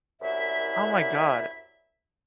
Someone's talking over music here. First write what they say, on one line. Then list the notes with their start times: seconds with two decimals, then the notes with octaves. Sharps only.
Oh my god.
0.21 C2 F#2 E4 E5